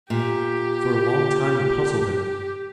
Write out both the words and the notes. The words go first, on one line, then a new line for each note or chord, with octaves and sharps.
For a long time it puzzled him.
A#2 G4